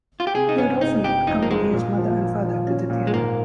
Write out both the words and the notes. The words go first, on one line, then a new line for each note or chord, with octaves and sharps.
He would often accompany his mother and father to the theater.
F4
G4
C3 G#4
D#4
G1 C#4
C3 D#4
G1 G4
F2 D#4
A#3
G1 G#3
A#2
F3
A#2
F3
C#4
A#2
G#3
G#2 A#3